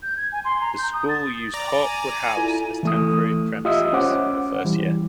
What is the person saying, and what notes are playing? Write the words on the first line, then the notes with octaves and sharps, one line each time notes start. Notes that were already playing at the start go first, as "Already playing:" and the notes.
The school used Hawkwood House as temporary premises for the first year.
G6
G#6
G#5
C6
A#5
G6
D#6
A6
D5 A#5
G#5
E4 F4 A4
E3 A3 D#6
F4 G4 D#5 E5 D#6 E6
C#4 C5 F#5 D6
E3 G3